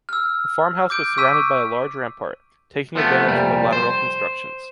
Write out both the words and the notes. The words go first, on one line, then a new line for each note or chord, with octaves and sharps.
The farmhouse was surrounded by a large rampart, taking advantage of the lateral constructions.
E6 F6
D6 G6 D7
C#6 D6 E6 B6 D#7
F3 A3 B3
C2 F2 A#2 G3
C5